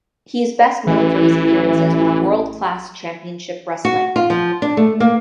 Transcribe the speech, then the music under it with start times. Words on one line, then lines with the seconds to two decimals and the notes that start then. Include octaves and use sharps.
He is best known for his appearances with World Class Championship Wrestling.
0.87 A1 E3
3.85 F#4
4.16 F4
4.30 F3
4.62 D4
4.77 A3
5.00 A#3